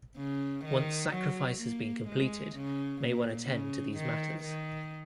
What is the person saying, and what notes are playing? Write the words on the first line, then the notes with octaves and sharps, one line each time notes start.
Once sacrifice has been completed, may one attend to these matters.
C#3
D#3
F#3
A#3
G#3
C#3
A#2
C#3
D#3
D#3